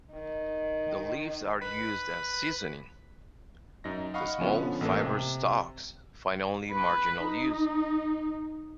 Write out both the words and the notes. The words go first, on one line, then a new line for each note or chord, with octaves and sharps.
The leaves are used as seasoning; the small, fibrous stalks find only marginal use.
D#3
B4
F#2 D#4 A#6
D#5 F5 F#5 B5 C#6 F6
D3 F3 B3 C#4
A1 A#3 A4
C3
B4
D#4